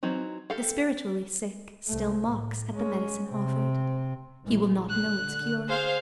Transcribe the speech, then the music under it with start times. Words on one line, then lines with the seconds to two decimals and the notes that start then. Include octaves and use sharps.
The spiritually sick still mocks at the medicine offered; he will not know its cure.
0.03 E3 F#3 C4 D#4
0.50 G4 A4 F5
1.88 C2 A3
2.23 A2
2.73 G#3 C#4
3.30 C3 C4
4.42 A#1 E3 G#3
4.90 D3 F#6
5.68 G#4 C5 F5